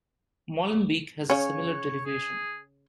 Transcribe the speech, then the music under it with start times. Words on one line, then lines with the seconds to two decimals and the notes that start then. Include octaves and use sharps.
Molenbeek has a similar derivation.
1.30 C#3 C#4 C#5
2.05 G#4